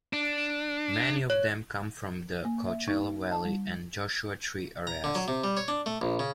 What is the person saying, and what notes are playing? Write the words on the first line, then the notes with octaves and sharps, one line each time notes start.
Many of them come from the Coachella Valley and Joshua Tree areas.
D4
C#5
A#3
E5
D#4
A5
G3
A#5
D3
F#3
C3
G3
C#5
D4
A3
A#1
C#3